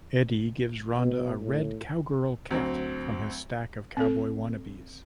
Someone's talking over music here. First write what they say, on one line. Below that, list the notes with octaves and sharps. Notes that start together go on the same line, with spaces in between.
Eddie gives Rhonda a red cowgirl cat from his stack of cowboy wannabes.
B2
A2
D2 F#3 C4
C4 A4